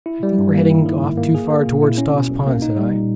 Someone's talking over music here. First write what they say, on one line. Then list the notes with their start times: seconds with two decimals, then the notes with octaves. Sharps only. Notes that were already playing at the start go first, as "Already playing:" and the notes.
"I think we're heading off too far toward Stoss Pond," said I.
0.06 E4
0.23 G3
0.39 G2
0.54 A#3
0.70 E4
0.86 D#3
1.03 G#2
1.18 A#3
1.35 G#4
1.50 A#3
1.65 A#2
1.83 E4
1.98 C#4
2.14 B2
2.30 B1
2.46 A#3
2.62 D#4
2.77 G3
2.94 A#2